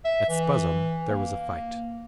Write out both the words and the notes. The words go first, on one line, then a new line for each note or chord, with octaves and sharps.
At Spuzzum there was a fight.
E5
E3
A#3